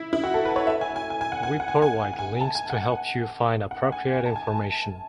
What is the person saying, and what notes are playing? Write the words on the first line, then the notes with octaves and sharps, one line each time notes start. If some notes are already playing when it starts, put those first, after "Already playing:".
We porovide links to help you find appropriate information.
Already playing: E4
E4
F#4
A4
B4
C#5
E5
G#5
G#5
G#5
G#5
F#5
G#5
F#5
G#5
G#5
F#5
G#5
A5
G#5
F#5
F#5
G#5
G#5
A5
G#5
A5